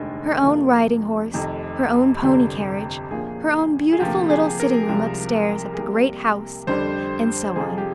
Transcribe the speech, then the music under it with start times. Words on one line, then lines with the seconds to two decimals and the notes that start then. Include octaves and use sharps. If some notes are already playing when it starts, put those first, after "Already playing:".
Her own riding-horse; her own pony-carriage; her own beautiful little sitting-room upstairs at the great house, and so on.
Already playing: F1 D#2 D3 G#3
0.44 F2 C3 F3 A#3
1.33 F1 F2 C3 D#3
2.22 G1 F2 C3 G3
3.11 A#1 A#2 F3 A#3 G#4
3.93 G#4
4.00 D2 C3 F3 A#3 G4
4.30 G#4
4.60 A#4
4.89 C2 C3 F3 G#3
5.74 G#4
5.78 C2 C3 G3 A#3 A#4
6.67 F2 D3 G3 C5
7.56 F2 C3 F3 G#4
7.78 G4